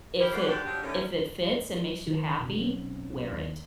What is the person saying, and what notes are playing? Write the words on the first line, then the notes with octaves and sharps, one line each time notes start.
if it if it fits and makes you happy, wear it.
E4 G4 A#4
F#2 E3 G4 C5 D5 F#5
G#2 D3 D4 F#4 G4
C3 F3 F#3 D4 F#4 G4
D3 D#3 G3 A3 C#4
D#3
F2 B2 D3
B1 F#3 C4 C#4
D#2